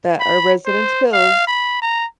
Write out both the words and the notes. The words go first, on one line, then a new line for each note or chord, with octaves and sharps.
that our residents' pills
B5
C5
F5
B5
A#5